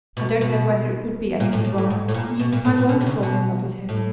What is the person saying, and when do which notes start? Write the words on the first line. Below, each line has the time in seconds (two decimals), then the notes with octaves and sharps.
I don't know whether it would be anything wrong, even if I were to fall in love with him.
0.17 B2
0.41 B2
1.40 A#2
1.53 A2
1.65 A2
1.78 A2
1.90 G#2
2.08 A2
2.14 A#2
2.40 B2
2.53 A#2
2.65 A2
2.77 A#2
2.89 B2
3.01 C3
3.06 C#3
3.23 B2
3.89 A2